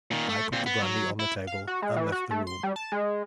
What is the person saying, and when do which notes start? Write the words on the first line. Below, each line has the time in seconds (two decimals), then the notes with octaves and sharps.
I put the brandy on the table and left the room.
0.11 A#2 D#3
0.29 A3
0.53 A#2 C4
0.66 B3
0.82 F#3
1.19 E4
1.47 F5
1.67 F#4
1.82 G#3
1.96 E3
2.12 F#4
2.31 A3
2.47 C6
2.63 G3
2.76 A5
2.92 G#3